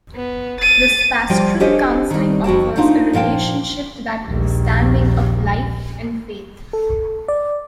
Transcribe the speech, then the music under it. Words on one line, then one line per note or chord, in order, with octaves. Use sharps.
Thus pastoral counseling offers a relationship to that understanding of life and faith.
B3
A6 D#7
F3 G3 F4 G5
C#4 D4 G4 A4 C5 D#5
D#3 G3
F2 F#4 G5 A5
A3 C4 D4 D#4 F4
A#2 F3 F5 G5 A5
A#1 D#2
A4
D5